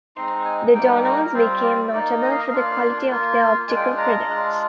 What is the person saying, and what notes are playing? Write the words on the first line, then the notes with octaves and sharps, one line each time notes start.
The Dollonds became notable for the quality of their optical products.
G#3 C4 D#4 C6
G#5
G3 A#3 D#4 G5
A#5
A#4
G3 C4 F4 C5
D5
A#3 D#4 D5
D#5
F5
D#5
A#3 D4 F4 F5
A#3 F4
G#3 D4 F4 G#5
G5
G#5
A#5
G#3 D4 F4